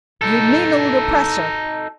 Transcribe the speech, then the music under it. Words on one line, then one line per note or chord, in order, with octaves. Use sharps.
"You mean ole oppressor!"
D#4 A4